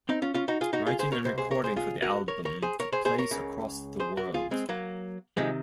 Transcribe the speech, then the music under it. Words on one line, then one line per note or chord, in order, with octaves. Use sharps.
Writing and recording for the album took place across the world.
C4 D#4
C#4 F4
C#4 F4
D#4 F#4
F4 G#4
D#4 F#4
F4 G#4
G#4 C5
A#4 C#5
C#2 C3 C5
G#4 C5
A#4 C#5
G#4 C5
F4 G#4
F#4 A#4
A#4 C#5
A#4 C#5
G#4 C5
A#4 C#5
G#4 C5
G#4 C5
A#4 C#5
C#2 C#3
G#4 C5
F#4 A#4
F4 G#4
G#3 C4
F#3 A#3
C3 D#3 F3 G#3